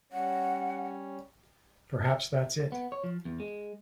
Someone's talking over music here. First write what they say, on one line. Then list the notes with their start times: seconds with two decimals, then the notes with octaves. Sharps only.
Perhaps that's it.
0.12 G3 C#4 C#5 F#5
2.72 B3
2.92 C#5
3.04 F3
3.25 E2
3.40 G#3